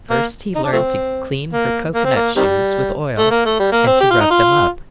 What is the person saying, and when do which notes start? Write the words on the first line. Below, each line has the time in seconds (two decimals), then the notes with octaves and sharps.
First he learned to clean her cocoa-nut shoes with oil and to rub them up.
0.10 A#3
0.55 D#4
0.64 D4
0.72 F3 A3 C4
1.53 A#3
1.95 A#3
2.04 C4
2.15 A#3
2.36 C3 D#3 G3
3.18 A3
3.31 A#3
3.45 A3
3.59 G3
3.72 A#3
3.86 C4
4.00 G4
4.10 F4
4.20 D#4
4.31 F4